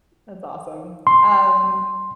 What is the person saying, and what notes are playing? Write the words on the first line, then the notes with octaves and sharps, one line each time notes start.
that's awesome, um,
C6